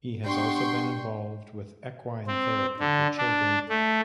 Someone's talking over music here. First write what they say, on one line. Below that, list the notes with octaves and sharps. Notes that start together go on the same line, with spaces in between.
He has also been involved with equine therapy for children.
G3 B3 D4 G5 C6 C#6
C4
D3
D4
A3